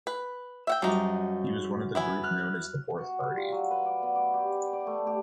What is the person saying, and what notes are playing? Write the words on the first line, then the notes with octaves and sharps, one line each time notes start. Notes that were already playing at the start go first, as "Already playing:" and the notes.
He was one of the group known as the Fourth Party.
B4
E5 F#5 G5
F#2 F3 G3 D#4
B3 E4 G#5
F6 F#6
F#4
G3
F4
F#3
B4
D5
B3
D5
G4
D5
A3
G4